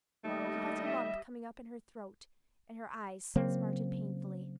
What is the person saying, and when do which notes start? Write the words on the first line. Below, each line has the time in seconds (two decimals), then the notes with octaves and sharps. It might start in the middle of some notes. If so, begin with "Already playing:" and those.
She felt a lump coming up in her throat and her eyes smarted painfully.
0.24 D#2 G3 A3 D#5
0.84 E5
3.36 C#3 F#3 A#3 C4